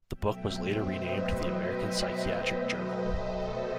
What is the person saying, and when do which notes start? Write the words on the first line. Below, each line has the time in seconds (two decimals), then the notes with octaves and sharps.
The book was later renamed the American Psychiatric Journal.
0.13 B2 F#3 A3 E5 G5
0.42 C5 E5
0.71 B4 D#5
2.73 A4 C5
3.16 B4